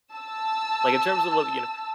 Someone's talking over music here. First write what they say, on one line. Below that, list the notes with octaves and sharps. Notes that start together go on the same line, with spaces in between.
like, in terms of what, you know,
A5 E6